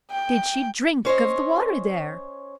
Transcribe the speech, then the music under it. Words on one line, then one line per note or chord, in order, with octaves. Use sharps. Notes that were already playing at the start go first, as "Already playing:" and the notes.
"Did she drink of the water there?"
G5
C#4 C5 C#5 D#5